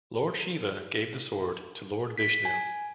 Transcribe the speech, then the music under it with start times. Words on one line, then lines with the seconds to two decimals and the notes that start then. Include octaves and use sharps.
Lord Shiva gave the sword to Lord Vishnu.
2.18 B6
2.45 G#5